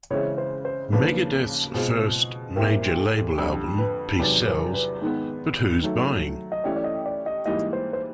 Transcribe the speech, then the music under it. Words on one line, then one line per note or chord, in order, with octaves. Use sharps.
Megadeth's first major-label album, Peace Sells... but Who's Buying?
C#3 E3 G#3 C4 E4 C#5
C5
C5
D#2 C#3 F3 A#3 D4 B4
B2 G#3 C4 F4 G#4
A#2 G3 C4 E4 G4 A#4
A4
F2 D3 G3
B4
E2 C3 D#3 F#3 B4
A#4
B4
G#2 D#3 G#3 B3
D#3 F#3 A3
D#5
E3 A3 C#4 E4 G4 D5
D5
D#5
D5
D#5
G#2 E3 G3 A#3 D#5
C5
C5